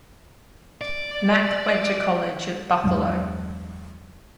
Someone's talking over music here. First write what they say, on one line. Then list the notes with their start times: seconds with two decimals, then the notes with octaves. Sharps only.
Mack went to college at Buffalo.
0.81 D5
2.84 E2 G2 F#3 G#3